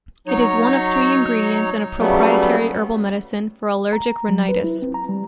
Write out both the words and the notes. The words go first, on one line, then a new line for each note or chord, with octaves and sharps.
It is one of three ingredients in a proprietary herbal medicine for allergic rhinitis.
F#3 D#4 C#5
C#3 F#3 G3 A3 B3
A#5
F#3
B4
E4
C4
A#5
G3